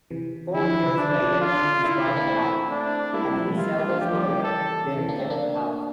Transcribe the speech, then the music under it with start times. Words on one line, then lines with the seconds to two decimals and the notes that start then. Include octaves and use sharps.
Four years later, his wife died, and his eldest daughter then kept house.
0.10 C3 E3
0.54 D3 F3 E4
0.68 D3
0.83 C3
0.97 D3 D4
1.08 D3 F3
1.19 D3 F3
1.41 D3 F4
1.62 D3
1.84 D3 E4
1.95 D3
2.06 C3 E3
2.16 A#3 D4
2.27 A3 C4
2.70 D4
3.13 G3 A#3 E4
3.25 G3 A#3
3.35 F3 A3
3.46 E3 G3
3.52 A3
3.57 E3 G3 F4
3.79 G3 A#3
3.89 A#3 D4
4.01 F3 A3 G4
4.15 G3 A#3
4.29 E3 G3
4.44 A4
4.87 D3
4.98 C3 E3
5.09 A#3 D4
5.19 A3 C4
5.30 A#3 D4